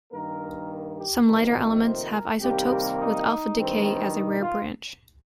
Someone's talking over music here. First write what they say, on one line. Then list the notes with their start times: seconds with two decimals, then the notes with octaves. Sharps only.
Some lighter elements have isotopes with alpha decay as a rare branch.
0.11 G2 D#3 A#3 A#4
0.97 G4
1.25 F2 C3 D#3 A#3 A#4
1.83 C5
2.11 A#4
2.40 C3 D#3 G3 A#3 G4
2.97 D#4
3.54 G2 D#3 C4
3.83 C4
4.12 D#4
4.40 F4